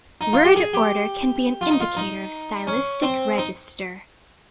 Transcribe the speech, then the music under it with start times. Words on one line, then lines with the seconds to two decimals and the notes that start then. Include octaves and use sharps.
Word order can be an indicator of stylistic register.
0.21 D#4
0.33 F4
0.45 G4
0.56 G#4
0.74 G4
1.61 F4
1.71 D#4
1.80 F4
1.97 D#4
2.67 C#4
3.02 C4
3.38 D#4